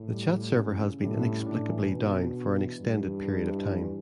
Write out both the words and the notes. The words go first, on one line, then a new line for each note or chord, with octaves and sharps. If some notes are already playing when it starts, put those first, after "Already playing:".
The chat server has been inexplicably down for an extended period of time.
Already playing: A2
G3
G3
C#4
C#3
A2 G3
C#4
A2 D4
E3
B2 D4
B3
D4
E3
G2 D4
E3
E4
E4
E3